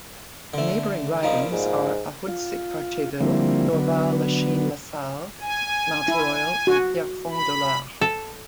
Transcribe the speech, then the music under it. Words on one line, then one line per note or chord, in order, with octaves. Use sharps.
The neighbouring ridings are Ahuntsic-Cartierville, Dorval-Lachine-LaSalle, Mount Royal and Pierrefonds-Dollard.
D3 A3
A#2 F3 G3 D#4
G#2
F4
D3 F3 G3 A#3 C4 E4
D3 F#3 B3
G#5
E4
F#4
B5
A4